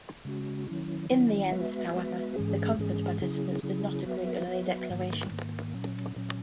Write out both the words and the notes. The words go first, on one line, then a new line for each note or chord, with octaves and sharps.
In the end, however, the conference participants did not agree on any declaration.
C#3 G#3 C#4 F#4
D#3 F#3 C#4 E4
D#3 F#3 C#4 E4
G#3 B3 F#4 B4 E5
G#3 B3 F#4 B4 E5
G#2 E3 G#3 C#4 G#4
G#2 E3 G#3 C#4 G#4
C#3 F#3 C#4 E4 G#4
C#3 F#3 C#4 E4 G#4
F#3 B3 F#4 B4 E5
F#3 B3 F#4 B4 E5
G#2 D#3 A#3
G#2 D#3 A#3
A#2 F#3 C#4
A#2 F#3 C#4